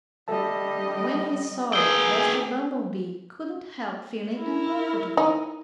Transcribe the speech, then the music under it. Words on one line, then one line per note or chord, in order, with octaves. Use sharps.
When he saw it Buster Bumblebee couldn't help feeling uncomfortable.
G3 A4 D#5 E5 A5
A#3 G#4 B4 G5 G#5 D#6 E6
E4 A#4
D#4